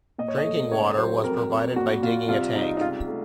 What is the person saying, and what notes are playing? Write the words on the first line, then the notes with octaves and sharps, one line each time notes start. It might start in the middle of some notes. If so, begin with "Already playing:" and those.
Drinking water was provided by digging a tank.
A#2 D#5
C#5
D#5
A3
C#2 C#5
F#3 C5
F2 A#4
F2
A#2 F#4
A#2 F4
C2 F4
C2 D#4
D#4
C#2 F4
A3